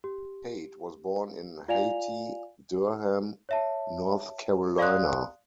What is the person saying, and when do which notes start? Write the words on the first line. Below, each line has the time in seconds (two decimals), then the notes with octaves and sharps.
Tate was born in Hayti, Durham, North Carolina.
0.04 G4
1.68 F4 D5 F5 G#5 F7
3.49 C#5 E5 A5
4.78 D5 F5 C6 D#6 F#6